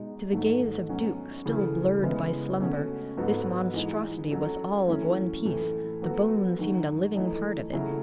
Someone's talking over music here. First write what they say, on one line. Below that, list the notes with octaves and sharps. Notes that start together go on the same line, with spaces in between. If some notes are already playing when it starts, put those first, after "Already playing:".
To the gaze of Duke, still blurred by slumber, this monstrosity was all of one piece--the bone seemed a living part of it.
Already playing: B2 G#3 D#4
G#2 D#3 F#3 A3
B2 F#3 C#4
C#3 E3 A3
C#3 G#3 B3 E4
B2 A3 C#4
G#2 F#3 B3 F#4 A4
E3 G#3 D#4
F#3 C#4 F#4 A4
F#2 E3 A3 C#4 E4
A2 E3 A3 E4
F#3 B3 F#4 A4
F#2 D#3 F#3
E3 A3 D#4 A4
C#3 F#3 A3 E4